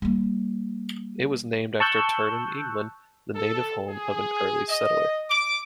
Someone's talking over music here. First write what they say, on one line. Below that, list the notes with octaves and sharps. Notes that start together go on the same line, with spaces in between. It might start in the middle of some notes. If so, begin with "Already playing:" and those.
It was named after Turton, England, the native home of an early settler.
G3 A#3
A5 C#6 E6 F#6 G6
A4
G#4
D#5
D6